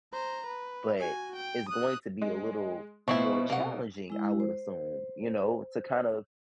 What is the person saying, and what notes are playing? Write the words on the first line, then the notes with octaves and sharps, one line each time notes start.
but it's going to be a little more challenging, I would assume, you know, to kinda
C5 A#5
B4
F#4 G#5
G5
D#6 F#6
G#3
B2 F3 B3 C4 E4 C#6 F#7
C3 A#3 F#5
G#3 E4
C5